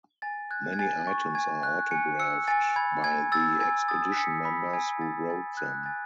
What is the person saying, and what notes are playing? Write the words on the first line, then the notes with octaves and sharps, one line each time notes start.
Many items are autographed by the expedition members who wrote them.
G#5 A6
F#6 G#6
G#6
G#5 A6
C#6 A6
G#5 G#6
F#6
G#5 C#7
E6 C#7
G#5 A6
B5 G#6
G#5 G#6
E6 A6
G#5 G#6
D#6 A6
B6
G#5 C#7
B5 B6
G#5 G#6
D#6 A6
G#5 A6
F#6 G#6
G#5 A6